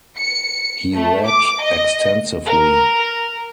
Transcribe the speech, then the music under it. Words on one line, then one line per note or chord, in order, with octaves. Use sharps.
He read extensively.
C#7
A3
D6
D#5
A#4